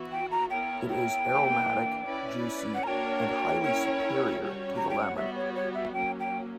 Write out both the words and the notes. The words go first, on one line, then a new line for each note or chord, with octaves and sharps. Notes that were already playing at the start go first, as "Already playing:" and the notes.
It is aromatic, juicy, and highly superior to the lemon.
Already playing: E3 B3 F#4
G5
A#5
B3 E4 A#4 C#5 G5
G5
E3 A#3 D4
C#4 E4 B4 D5
F#5
A#3 D4 F#4 A#4 C#5 G5 A#5
C#4 E4 A#4 C#5
G3 C#4 F#4 C#5
A#5
G5
F#5
G3 B3 F#4 E5
C#5
C#5
E5
F#3 A#3 C#4 G5
G5